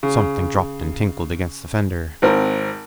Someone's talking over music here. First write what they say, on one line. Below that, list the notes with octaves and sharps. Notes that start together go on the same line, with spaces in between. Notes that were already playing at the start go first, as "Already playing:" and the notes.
Something dropped and tinkled against the fender.
C#3
G#1 C4 A#4